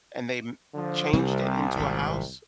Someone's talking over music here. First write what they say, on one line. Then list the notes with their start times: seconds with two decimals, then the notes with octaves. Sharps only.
and they m changed it into a house?
0.74 D3 F3
1.13 C2 C3 G3 C4
1.76 G#1 A#2